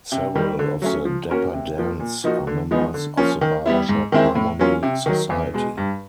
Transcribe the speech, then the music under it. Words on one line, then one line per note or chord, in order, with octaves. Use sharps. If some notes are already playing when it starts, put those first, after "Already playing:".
Several of the Dapper Dans are members of the Barbershop Harmony Society.
C3
D#3 G3
D3
F#3 A3 C#4
F3
A#3 C#4 F#4 A#4
C3
F3 A#3
A#2
F3 A#3 D#4 F#4
D3
F3 G#3 B3 D#4
D3
F3 A#3 C#4
D#3
G3 B3 E4
G#2
D#3 G#3 C4 E4
A2
F#3 A#3 C#4 F4
C3
D#3 F#3
E2
B2 G#3
G2